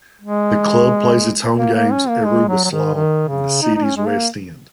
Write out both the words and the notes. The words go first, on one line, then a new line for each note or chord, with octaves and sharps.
The club plays its home games at Rubislaw in the city's west end.
G#3
A#3
A#3
C#4
A#3
G#3
F#3
F#3
D#3
D#3
C#3
D#4
D#4
C#4
G#3
A#3